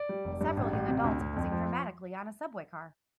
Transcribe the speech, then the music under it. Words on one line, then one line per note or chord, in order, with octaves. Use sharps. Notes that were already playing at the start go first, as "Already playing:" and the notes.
Several young adults posing dramatically on a subway car.
Already playing: D5
G3
F1
G2
A1
A1
C3
D2
D2
F2
F3